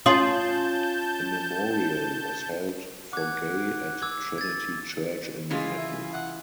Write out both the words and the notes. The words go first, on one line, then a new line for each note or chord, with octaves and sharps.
A memorial was held for Gay at Trinity Church in Manhattan.
C#4 F4 A5 C6 D#6 G6
F#5 D6 G#6
D6 E6 G#6
G#6 A6
C#3 E3 G#3 F4
E5
F#5